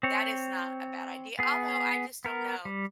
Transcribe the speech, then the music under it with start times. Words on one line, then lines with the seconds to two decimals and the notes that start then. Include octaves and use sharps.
That is not a bad idea. Although, I just don't know.
0.03 C4 C#5
1.39 B3 G#4
2.25 B3 A#4
2.65 G3